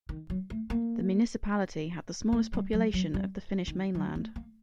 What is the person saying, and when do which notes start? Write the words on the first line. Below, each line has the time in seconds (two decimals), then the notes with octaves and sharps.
The municipality had the smallest population of the Finnish mainland.
0.09 D#3
0.30 F#3
0.50 A3
0.70 A#3
2.32 A3
2.53 G3
2.73 F#3
2.94 F#3
3.14 G3
3.67 D#3
3.95 F#3
4.15 A3
4.36 A#3